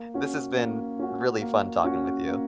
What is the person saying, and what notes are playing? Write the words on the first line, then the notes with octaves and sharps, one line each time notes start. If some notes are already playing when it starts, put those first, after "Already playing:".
this has been really fun talking with you.
Already playing: A#3
C#4 F#4
A#3
C#4 F#4
A#3
C#4 F#4
A#3